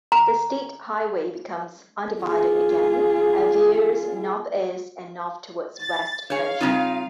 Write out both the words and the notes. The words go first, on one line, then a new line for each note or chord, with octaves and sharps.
The state highway becomes undivided again and veers northeast and north toward West Friendship.
A#5
F4 G#4
A6
G#4 C#5 F5
C#3 G3 C4 D#4 F4